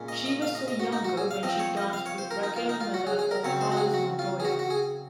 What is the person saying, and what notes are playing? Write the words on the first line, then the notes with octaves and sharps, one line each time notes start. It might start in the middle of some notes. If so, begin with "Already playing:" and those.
She was so younger when she dance with Raquel Meller o Carlos Montoya.
Already playing: A#2 G#3 C#4
D#5
D#5
F5
D#5
D#5
F#4
D#4
F#4
G#4
F5
F3 C4 D#5
C#5
D#5
F5
C#5
C5
A#4
D#4
F4
D#4
F4
F#4
G#4
G#4
A#4
C#3 F#3 C4 C#5
C5
F#4
G#4
F#4
F4
G#4
F#4
F#4
G#4